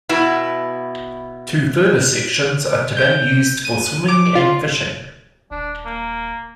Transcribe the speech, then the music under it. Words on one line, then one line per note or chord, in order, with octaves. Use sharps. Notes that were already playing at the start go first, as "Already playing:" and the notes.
Two further sections are today used for swimming and fishing.
B2 B3 E4
G6
D#7
D6
F4
D#1 D4
A#3